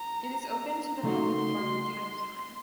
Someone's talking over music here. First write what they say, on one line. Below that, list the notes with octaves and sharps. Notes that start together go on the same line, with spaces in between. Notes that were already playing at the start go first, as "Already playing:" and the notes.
It is open to the public from time to time.
Already playing: A#5
C#3 A3 D#4 F#4 C6